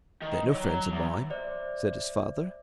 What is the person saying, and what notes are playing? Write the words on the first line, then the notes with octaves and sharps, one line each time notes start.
"They're no friends of mine," said his father.
D#3
F#3 A#5
E2
C5 D5 E5